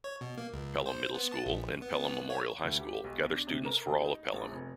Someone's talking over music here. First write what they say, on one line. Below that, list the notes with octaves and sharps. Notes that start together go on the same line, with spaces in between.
Pelham Middle School and Pelham Memorial High School gather students for all of Pelham.
C#5
B2
A#3
C#2
C5
B3
A5
A#1
B3
B3
C#5
D2
G4
B1
D4
C3
A#4
D#2
D#4
A#1
F1